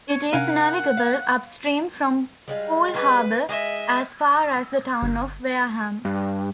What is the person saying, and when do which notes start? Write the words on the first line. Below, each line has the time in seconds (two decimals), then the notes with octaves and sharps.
It is navigable upstream from Poole Harbour as far as the town of Wareham.
0.09 C#5
0.33 C3 C#4 D4 A#4 F5 F#5 G#5
0.97 F5
2.48 G3 G#3 F4
2.93 B4
3.49 G#3 D#5 E5
5.02 G1
6.05 G2